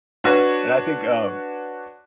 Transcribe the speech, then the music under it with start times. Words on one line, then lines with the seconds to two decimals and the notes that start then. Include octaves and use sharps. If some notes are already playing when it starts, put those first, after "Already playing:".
And I think, um,
0.24 D4 F#4 B4 C#5